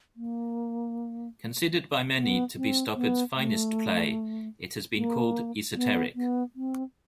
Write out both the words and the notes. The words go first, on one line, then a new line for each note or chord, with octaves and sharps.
Considered by many to be Stoppard's finest play, it has been called "esoteric".
A#3
B3
C4
B3
A3
A#3
B3
B3
C4